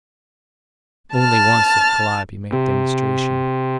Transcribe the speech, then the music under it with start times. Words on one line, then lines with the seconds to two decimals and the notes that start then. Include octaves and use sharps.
Only once did Calliope make demonstration.
1.15 A5 F6 A6
2.53 C3